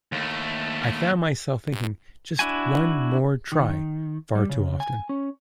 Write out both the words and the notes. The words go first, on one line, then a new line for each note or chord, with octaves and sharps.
I found myself thinking 'just one more try' far too often.
D#2 A3
D4 E4 F#4 G#5
D#3
G3
C#3
G#5
C#4